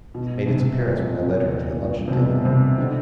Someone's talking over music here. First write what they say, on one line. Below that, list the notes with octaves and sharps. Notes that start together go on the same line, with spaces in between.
It made its appearance when I led her to the luncheon table.
B2
C3
A#2
C3
B2
C3
D3